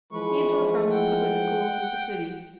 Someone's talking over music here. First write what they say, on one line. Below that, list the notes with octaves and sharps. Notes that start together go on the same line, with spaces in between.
These were from the public schools of the city.
E3 F3 G#3 B4 C#6
F#5 G5